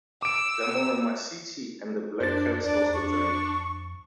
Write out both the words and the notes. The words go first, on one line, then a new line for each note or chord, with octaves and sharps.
The Monomashichi and the Black Caps also joined him.
D6 E6 D7
F#2 D4 C5 A6
E2 D4 D5
F2 C#6